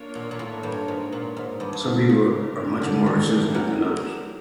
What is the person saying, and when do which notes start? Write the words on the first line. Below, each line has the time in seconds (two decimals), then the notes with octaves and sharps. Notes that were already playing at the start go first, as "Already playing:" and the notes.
Some people are much more sensitive than others.
Already playing: A#3 D4 F4 A#4 C#5
0.15 A#2
0.31 A#2
0.39 A2
0.63 G2
0.88 G#2
1.12 A#2
1.37 G#2
1.60 G2
1.73 G2
1.84 G#2
2.09 C#3 A3 D4 G4 A#4
2.82 D3
3.06 D#3
3.30 E3
3.50 F#3 G3